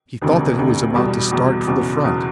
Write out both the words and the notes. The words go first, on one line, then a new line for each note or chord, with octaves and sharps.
He thought that he was about to start for the front.
E1 D2 C3
E1 D2 C3
E2 B2 G3
E2 B2 G3
F#1 E2 B2
F#1 E2 B2